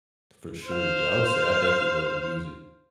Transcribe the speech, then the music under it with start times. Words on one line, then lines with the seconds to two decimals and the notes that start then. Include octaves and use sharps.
For sure. Yeah. I would say, I definitely love the music.
0.67 C5 F5